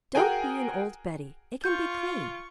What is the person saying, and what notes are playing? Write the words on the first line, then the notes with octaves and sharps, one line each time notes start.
'Don't be an old Betty; it can be cleaned.
F#4 G#4 A#4 G5 G#5
F4 C#6 G6